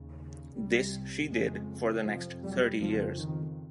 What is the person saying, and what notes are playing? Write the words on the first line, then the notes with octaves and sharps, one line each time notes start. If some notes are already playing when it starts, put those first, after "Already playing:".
This she did for the next thirty years.
Already playing: D#2 C#3
C2 C3 G3
F2 C#3 G#3
F2 C3 F3
G3
F2 C#3 F3
D#3